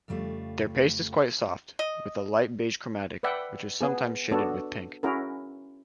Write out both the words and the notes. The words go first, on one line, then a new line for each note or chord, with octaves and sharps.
Their paste is quite soft, with a light beige chromatic, which is sometimes shaded with pink.
F2 C#3 G3 A3 F4
D#5
B4 D5 E5 F#5 G5
B3 G#4
B3 D4 F#4 A4 C#5
C#4 E4 F#4 G#4 A#4